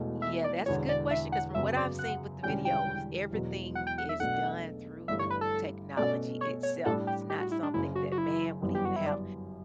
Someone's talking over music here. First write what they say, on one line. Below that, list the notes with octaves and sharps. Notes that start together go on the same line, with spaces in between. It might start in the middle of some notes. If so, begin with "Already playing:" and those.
Yeah, that's a good question 'cause from what I've seen with the videos, everything is done through the technology itself. It's not something that man would even have,
Already playing: E1 E2 B2 A3
E5
D5
E1 E2 D3 C#5
D5
E5
F#5
F#2 C#3 F#3 B3 E5
D5
F#5
E1 E2 D3 G3 C#4 G5
G5
E1 E2 B2 F#3
F#5
G5
F#5
E5
B1 B2 A3 D4 A4 F#5
G1 G2 E3 A3 E5
C#5
B4
A4
B2 A3 C#4 F#4 A4 D5
C#5
C#5
A2 G3 D4 A4
G4
G4
F#4
E4
D4
F#1 F#2 C#3 E4
F#4
F#4
E4
G1 F#2 E3 G3 B3
G4
F#4
E4
D4